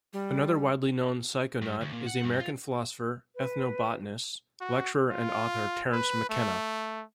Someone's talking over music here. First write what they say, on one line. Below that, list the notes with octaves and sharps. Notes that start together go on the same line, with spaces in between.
Another widely known psychonaut is the American philosopher, ethnobotanist, lecturer, and author Terence McKenna.
G3
G2
D2
A#2
F#5
G2
F4
B4
F#4
F4
B4
A3